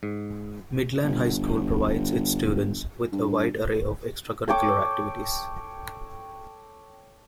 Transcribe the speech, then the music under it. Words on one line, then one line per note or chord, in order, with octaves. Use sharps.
Midland High School provides its students with a wide array of extracurricular activities.
G#2
G1
G2
A4 C#5 G5 D6